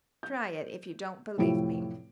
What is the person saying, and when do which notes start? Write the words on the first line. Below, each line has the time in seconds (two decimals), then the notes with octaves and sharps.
Try it, if you don't believe me.
0.23 G6
1.37 F1 A2 F3 E4 G4 D7